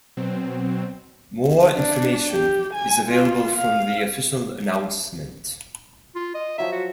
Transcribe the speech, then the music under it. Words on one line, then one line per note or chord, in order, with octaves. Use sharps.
More information is available from the official announcement.
B2 F#3 C4
D4
G4
G#5
F4
F5
F4
D#5
F3 F#3 E5 A#5
F#4